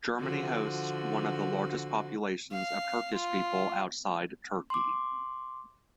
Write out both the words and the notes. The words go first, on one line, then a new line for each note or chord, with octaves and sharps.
Germany hosts one of the largest populations of Turkish people outside Turkey.
D3 F3 F#4
F5
F4
C6 D6